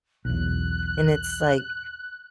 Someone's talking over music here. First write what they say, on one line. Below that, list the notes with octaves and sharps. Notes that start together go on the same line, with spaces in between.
and it's like,
B1 E2 F#6